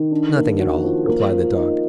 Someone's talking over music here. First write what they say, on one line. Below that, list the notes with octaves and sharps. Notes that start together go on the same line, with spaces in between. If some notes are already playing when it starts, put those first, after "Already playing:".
"Nothing at all," replied the Dog.
Already playing: D#3
D4
A#3
F#4
F3
A#3
F3
D#4